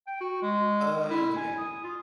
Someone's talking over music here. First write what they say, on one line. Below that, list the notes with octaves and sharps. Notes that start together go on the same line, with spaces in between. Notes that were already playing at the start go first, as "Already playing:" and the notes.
Uh, yes.
G5
F#4
G#3
E4
G#5
D#6
F4